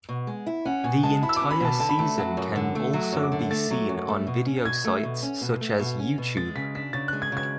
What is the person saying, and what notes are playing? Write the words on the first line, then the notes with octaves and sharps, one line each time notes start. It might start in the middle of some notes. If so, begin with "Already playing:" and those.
The entire season can also be seen on video sites such as YouTube.
B2
G#3
E4
C#4 F#5
B2 G#5
G#3 A5
E4 B5
E6
C#4 D6
B5
B2 A5
D3 A5
B5
A3 A5
F#3
F#2
D3
A3
F#3
F#2
D6
D3
A3 A6
F#3
F#2
A3
B2
C#4
B2 G#6
A3
B2
C#4
B2
A3
B2
C#4
B2
G#3 A6
C#3 B6
D4 B6
C#3 A6
G#3 F#6
G#6
C#3 G#6